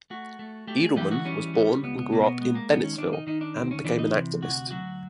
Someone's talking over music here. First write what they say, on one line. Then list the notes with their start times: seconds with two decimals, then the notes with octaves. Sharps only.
Edelman was born and grew up in Bennettsville, and became an activist.
0.10 A3 F#4
0.39 A3
0.67 A3 G4
0.83 G#4
0.96 E3 G4
1.11 F#4
1.25 G3 C#4
1.54 G3
1.83 C#2 B3
1.98 B3
2.12 B2 A#3
2.27 B3
2.40 G#3 B3
2.55 A#3
2.70 D#3 B3
2.84 C#4
2.98 D#3 D4
3.13 D#4
3.27 D#3 D#4
3.41 D4
3.56 D2 C4
3.71 C#4
3.85 E3 D4
3.99 D#4
4.14 C3
4.42 D2 F#4
4.71 F#3 F#4